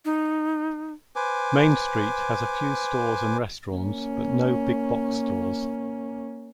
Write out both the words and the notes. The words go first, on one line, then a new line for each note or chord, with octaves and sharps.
Main Street has a few stores and restaurants but no big-box stores.
D#4
B4 C5 G#5 D6
A#3 C#4